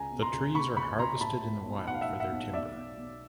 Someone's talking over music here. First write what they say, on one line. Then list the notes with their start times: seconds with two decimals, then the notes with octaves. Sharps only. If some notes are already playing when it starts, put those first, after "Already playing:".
The trees are harvested in the wild for their timber.
Already playing: C#2 G#5 A#5
0.11 B2
0.22 A#5 C6
0.33 C#2
0.55 C#2 B5 C#6
0.77 C#2 B5 C#6
0.99 C#2 A#5 C6
1.21 A2 A5 B5
1.43 A2
1.65 B1
1.87 B1 F#5
1.94 F5
2.01 E5 F#5
2.10 A2
2.20 E5 F#5
2.32 B1
2.53 B1 D5 E5
2.75 B1
2.98 B1